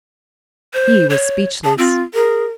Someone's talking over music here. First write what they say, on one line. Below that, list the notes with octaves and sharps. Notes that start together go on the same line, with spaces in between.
He was speechless.
C5
C#5
G#4 A5
C4 F4
G#4 A#4